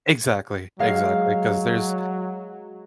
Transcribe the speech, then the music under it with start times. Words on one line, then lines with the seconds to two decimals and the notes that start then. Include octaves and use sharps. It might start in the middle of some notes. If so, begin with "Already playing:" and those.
Exactly, exactly. 'Cause there's
0.79 F#3 G#3 F5 G#6